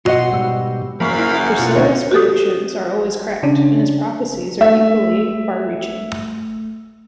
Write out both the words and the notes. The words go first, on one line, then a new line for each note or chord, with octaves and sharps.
Thrasyllus' predictions are always correct, and his prophecies are equally far-reaching.
B2 F#4 D#5 F#5 C6
G#2 B2 G3 E6
F#1 F#2 A#4 F5 B5 C#6 C7
E4
B2 F4
D2 D#4 C#5
F#4 G4 A4 D#6
C#3 C#4 D4
A3 E5